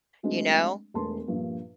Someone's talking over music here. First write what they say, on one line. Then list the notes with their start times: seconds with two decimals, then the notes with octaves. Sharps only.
you know?
0.23 F#3 G#3 A3 C4 D4
0.94 E1 A3 B3 A5 C6
1.27 A#1 G2 A#2 F3